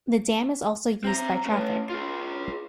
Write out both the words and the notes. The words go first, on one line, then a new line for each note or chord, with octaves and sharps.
The dam is also used by traffic.
C4 A#5
A3 C#4
F4 G#4